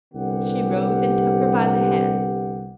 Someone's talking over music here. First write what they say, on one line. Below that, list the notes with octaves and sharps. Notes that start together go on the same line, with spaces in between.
She rose and took her by the hand.
C2 D3 B3 G4 F#5